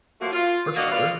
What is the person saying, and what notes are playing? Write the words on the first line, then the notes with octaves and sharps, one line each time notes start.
For sure.
F3 F#3 A3 A#3 F#4
F4
A#3 D4 F#4 D#5 F5
B3 F4 D5 F5